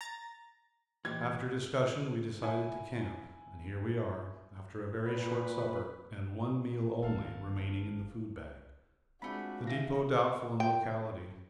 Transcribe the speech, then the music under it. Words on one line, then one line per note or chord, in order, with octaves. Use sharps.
After discussion we decided to camp, and here we are, after a very short supper and one meal only remaining in the food bag; the depot doubtful in locality.
A#5 A6
A#2 E3 G4 G#6
E4 G#5
A#2 B4
G#1 D#3 A4 F5 A5
G#3 A3 C4 D4 F4 F#4 B5
D#3 G#4 E5 F5 A#6
G5